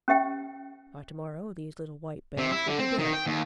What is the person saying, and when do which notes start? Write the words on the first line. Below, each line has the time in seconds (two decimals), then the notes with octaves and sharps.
"By to-morrow these little white bells will be dead."
0.08 C#4 G4 E5 G5
2.38 C3
2.51 E4
2.67 D3
2.79 C4
2.99 D#3
3.13 G5
3.26 D#2